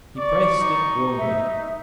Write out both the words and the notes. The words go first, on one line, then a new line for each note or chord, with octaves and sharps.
He pressed it warmly.
D5 C#6
D#4
E5